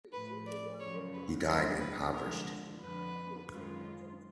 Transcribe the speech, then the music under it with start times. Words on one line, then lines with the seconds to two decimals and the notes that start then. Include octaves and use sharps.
He died impoverished.
0.12 A2 F3 A3 B4
0.47 D5
0.80 F#2 C#3 F3 C#5
1.14 B4
1.46 G3 B3 D4 C5
1.80 B4
2.13 D3 F3 G#3 A#4
2.80 F2 D3 F3 B4
3.48 F#2 D#3 G#3 C#4 F4